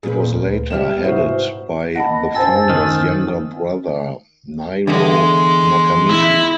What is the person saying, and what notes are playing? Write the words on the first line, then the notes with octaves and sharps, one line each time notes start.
It was later headed by the founder's younger brother Niro Nakamichi.
A#2 F3 G#4 B4
D2
G3 B3 G4 D5 E5 F6 E7
G#2 C3 E4 F#4 C5 E5
D#5 F#5 A5 B5
F#2 C5 G#5 A5 E6 A6
D#3
E2 D3 G#3
E4